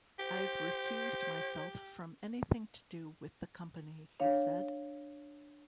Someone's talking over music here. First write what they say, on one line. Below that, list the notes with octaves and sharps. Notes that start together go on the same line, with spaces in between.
"I've recused myself from anything to do with the company," he said.
G4 C5
D4 C#5 F5